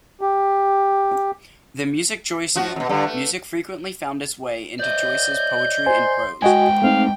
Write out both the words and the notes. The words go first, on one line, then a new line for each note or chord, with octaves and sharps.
The music Joyce knew: Music frequently found its way into Joyce's poetry and prose.
G4
F3 F#4
F2 B2
G2 D3
A3
D5 D#5 G6
C5 G#5 C6
G#3 E4 F#4 D#5 G5 G#5
A3 C4 D#4 F5